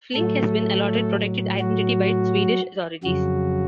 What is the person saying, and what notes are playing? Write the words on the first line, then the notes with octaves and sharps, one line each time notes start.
Flink has been allotted protected identity by Swedish Authorities.
A2 F#3 A3 A4
F#3 F#4
F2 C#3 F#3 F#4